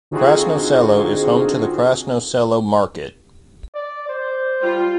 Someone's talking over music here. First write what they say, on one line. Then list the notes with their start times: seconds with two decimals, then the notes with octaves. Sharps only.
Krasno Selo is home to the Krasno Selo market.
0.11 D3 C4 D#4 F4 F#4 G#4
3.75 D5
4.09 C5
4.62 G3 F4